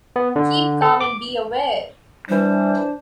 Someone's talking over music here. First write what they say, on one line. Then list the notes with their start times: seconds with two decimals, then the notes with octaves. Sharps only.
Keep calm and be aware!
0.16 B3
0.36 D3
0.82 A4
1.01 D6
2.29 E3 G3 D4 C5